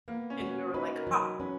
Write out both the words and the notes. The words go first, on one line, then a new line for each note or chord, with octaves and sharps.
And we were like, "Ah."
A#3 B3
C#4
F#4
C#4
D#4 B4
A#4
F#3
C#4 B4